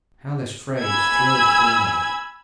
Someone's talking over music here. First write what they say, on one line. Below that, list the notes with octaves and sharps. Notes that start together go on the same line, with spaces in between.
How this phrase thrilled through me!
G#5 B5 E6 G#6